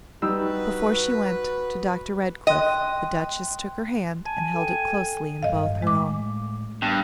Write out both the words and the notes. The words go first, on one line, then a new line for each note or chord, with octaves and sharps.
Before she went to Dr. Redcliff the Duchess took her hand and held it closely in both her own.
G3 D#4 F#4 B4 E6
D#5 G5 C6 F#6
G#5 A5
A4 G5
A1 G2 D#5 F5
A2 G#3 D6
G2 B3